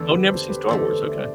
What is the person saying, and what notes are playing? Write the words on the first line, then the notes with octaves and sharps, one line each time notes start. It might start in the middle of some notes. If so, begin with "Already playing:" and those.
Oh, never seen Star Wars, okay.
Already playing: E2 D3 A3
G4 B4
A4 C5
G4 B4
E2 D3 A3 A4 C5
E5
D5